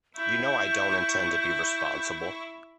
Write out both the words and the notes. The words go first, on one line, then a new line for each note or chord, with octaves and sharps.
You know I don't intend to be responsible.
E4 C#6 G6